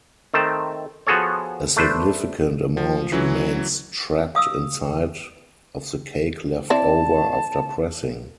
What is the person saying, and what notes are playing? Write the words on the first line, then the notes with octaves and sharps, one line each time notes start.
A significant amount remains trapped inside of the cake left over after pressing.
D#3 A3 C4 A5
F3 B3 F#4 G#4 A4 C#5
A3 D4 B4 C5
F3
E3 F#3 C#4
F5 D#6 E6
C4 E4 D5 A5